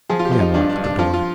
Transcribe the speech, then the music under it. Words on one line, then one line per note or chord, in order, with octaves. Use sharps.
We unlocked the door.
F3 G#4
F4
G4
F3
D#4
G2 D4
D4
G2
D4
F3 F4
F4